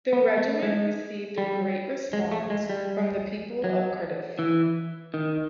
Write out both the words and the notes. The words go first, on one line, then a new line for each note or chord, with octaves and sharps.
The regiment received a great response from the people of Cardiff.
B3
A3
G#3
G3
G#3
A3
G#3
G3
F#3
E3
D#3